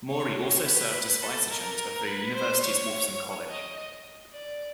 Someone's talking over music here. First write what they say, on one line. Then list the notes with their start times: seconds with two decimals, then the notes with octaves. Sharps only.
Moorey also served as Vicegerent of the University's Wolfson College.
0.09 C#5
0.66 B4
1.22 A4
1.51 A#4
2.07 B4
2.35 C5
2.63 C#5
3.49 D#5
4.33 D5